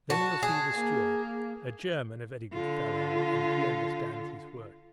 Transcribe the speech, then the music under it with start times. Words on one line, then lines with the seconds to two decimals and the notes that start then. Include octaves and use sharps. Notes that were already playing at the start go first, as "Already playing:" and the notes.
Then you'll see the steward--a German, a very good fellow, and he understands his work.
0.10 F#4 A5
0.43 G#4
0.75 A#3
2.53 D3 F4